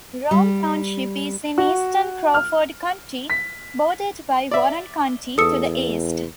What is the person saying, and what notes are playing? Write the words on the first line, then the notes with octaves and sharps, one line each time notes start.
Rome Township is in eastern Crawford County, bordered by Warren County to the east.
G3
F#4
F6
B6
D5 E5
E2 A4 D#6 E6 C#7